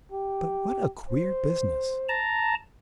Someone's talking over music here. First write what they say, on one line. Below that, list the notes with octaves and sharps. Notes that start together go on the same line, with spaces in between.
But what a queer business!
G4
C5
A5 A#5